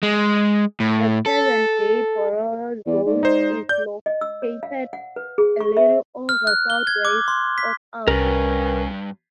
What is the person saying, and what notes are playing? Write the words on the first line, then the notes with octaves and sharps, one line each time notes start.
The present day Barolo zone is located a little over southwest of Alba.
G#3
A2
A4
E2 D5
G#2 D5
D#4 C5
D5 G6
D#5
E6
C#5
F5
F#5
B4
G#4
C#6
E5
F6
F#6
G7
G#6
D6
C6
B6
C2 G2 C#4 A#4 B4